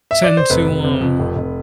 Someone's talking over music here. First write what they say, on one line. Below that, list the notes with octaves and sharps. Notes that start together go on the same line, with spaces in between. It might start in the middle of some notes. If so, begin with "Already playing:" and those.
tend to, um
E5
D5
C5
F1 B4
F1
C3
F2
F1
F1